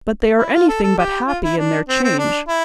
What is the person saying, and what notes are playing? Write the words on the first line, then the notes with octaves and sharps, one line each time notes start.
But they are anything but happy in their change.
E4
F4
A4
A4
G4
F4
E4
D4
C4
C4
D4
E4